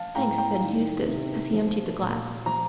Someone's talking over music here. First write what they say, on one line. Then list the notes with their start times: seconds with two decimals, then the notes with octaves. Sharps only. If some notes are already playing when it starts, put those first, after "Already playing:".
"Thanks," said Eustace, as he emptied the glass.
Already playing: F3 F5 A5
0.15 A2 G5 A#5
0.38 G5 A#5
0.61 D#3
1.07 C3
1.53 F3
2.01 A#2
2.46 F3 A#5